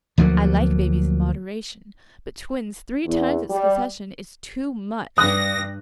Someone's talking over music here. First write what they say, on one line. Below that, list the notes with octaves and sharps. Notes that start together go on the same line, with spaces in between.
I like babies in moderation, but twins three times in succession is TOO MUCH.
D2 F3 F#3 A#3
E2
G3
G2 D#6 F#6 A#6